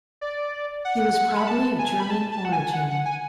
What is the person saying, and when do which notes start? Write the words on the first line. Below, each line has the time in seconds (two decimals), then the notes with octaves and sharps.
He was probably of German origin.
0.21 D5
0.85 F#5
1.36 B5
1.47 A5
1.79 G#5
2.00 B5
2.10 A5
2.32 A5
2.45 F#5
2.53 G#5
2.73 F#5
2.90 F#5
3.05 G#5